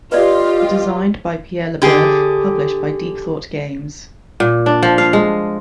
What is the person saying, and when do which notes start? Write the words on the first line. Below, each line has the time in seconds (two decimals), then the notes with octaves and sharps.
Designed by Pierre LeBoeuf, published by Deep Thought Games.
0.12 F4 G4 B4 D5 D#5
1.82 D3 G4 G#4
4.40 A#2
4.66 D4
4.83 F3
4.98 F5
5.13 G#3